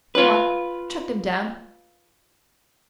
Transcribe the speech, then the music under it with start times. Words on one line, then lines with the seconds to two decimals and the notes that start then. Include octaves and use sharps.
Go on! Chuck them down!
0.15 F4 B4